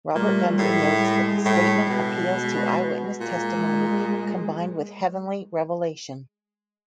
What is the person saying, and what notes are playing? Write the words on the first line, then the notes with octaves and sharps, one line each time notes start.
Robert Gundry notes that the statement appeals to eyewitness testimony combined with heavenly revelation.
A#2 G3 A3
A2 G#3
A2
B2
G#3
A#2 G#3